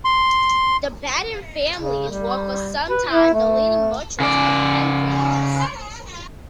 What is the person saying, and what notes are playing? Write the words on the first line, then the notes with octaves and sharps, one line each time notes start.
The Batten family were for some time the leading merchants of Penzance.
C6
C#3
G3
B4
E4
A3
C#3 D5